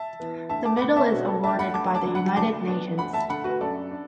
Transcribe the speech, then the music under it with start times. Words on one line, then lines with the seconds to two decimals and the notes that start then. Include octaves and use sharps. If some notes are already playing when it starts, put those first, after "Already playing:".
The medal is awarded by the United Nations.
Already playing: E5 A5
0.20 E3 B3 E4
0.49 D2 E5 A5
0.65 A5 D6
0.77 D6
0.80 D3 B3 F#5 B5
0.97 E5 A5
1.12 B2 F#4
1.28 A4
1.43 A3 D4 E5 A5
1.59 F#5 B5
1.74 D2 A5 D6
1.95 A5 D6
2.05 D3 F#3 D4
2.15 F#5 B5
2.36 D3 A5 D6
2.67 B3 D4
2.98 D2 F#5 B5
3.13 E5 A5
3.29 D3 A3 F#5 B5
3.44 F#4 B4
3.60 F#2 A4 D5
3.91 D4